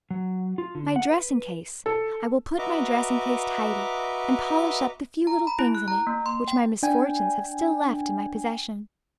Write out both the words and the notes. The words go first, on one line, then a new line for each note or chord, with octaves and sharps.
My dressing-case--I will put my dressing-case tidy, and polish up the few little things in it which my misfortunes have still left in my possession.
F#3
F4
D3
F#5
B4
A4
F#4 B4 D#5 E5 A#5 D6
A#5
B5
E4
F#6
A#5
A#3
C6
G5
D4 G5 G#5